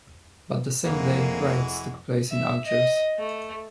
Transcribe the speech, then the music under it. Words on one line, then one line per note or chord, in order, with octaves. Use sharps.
But the same day, riots took place in Algiers.
F1 F2 E3 G#3 A#3 F#4
E5
D#5
A3